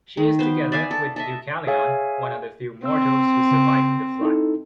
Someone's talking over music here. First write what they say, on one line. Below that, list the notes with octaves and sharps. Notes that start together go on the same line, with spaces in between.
She is together with Deucalion, one of the few mortals who survived the flood.
D#3
B3 C5
D5 E5 F5 G#5
A4
A4 D#5 E5
G#4 C#5 E5 F5 G#5
C4 E6
C#3
D#4 E4 A4